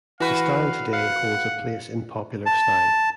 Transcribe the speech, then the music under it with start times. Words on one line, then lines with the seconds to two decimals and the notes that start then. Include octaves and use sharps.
The style today holds a place in popular slang.
0.20 E3 F#4 B4 F5
0.93 F5 F#5
2.46 A5